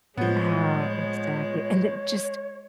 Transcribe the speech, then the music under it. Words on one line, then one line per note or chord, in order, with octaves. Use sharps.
Oh. Exactly. And then just
A2 F3 G#3 B3 C#5